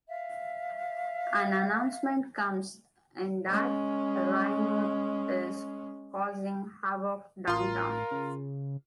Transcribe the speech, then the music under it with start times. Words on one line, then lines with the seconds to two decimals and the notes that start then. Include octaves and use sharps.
An announcement comes in that Rhino is causing havoc downtown.
0.08 E5 F5
3.47 G#3 C#4
7.47 A1 F4 A#4 C6
8.11 C#3